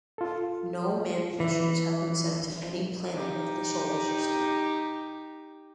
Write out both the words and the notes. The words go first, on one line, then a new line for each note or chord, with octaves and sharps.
No manned missions have been sent to any planet of the Solar System.
F4 A4
E3
D#4 G4